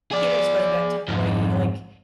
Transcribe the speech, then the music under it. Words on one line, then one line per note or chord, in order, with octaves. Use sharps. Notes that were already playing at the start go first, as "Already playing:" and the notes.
even just going back to Hawaii, like,
G#4 D5
F2 G#2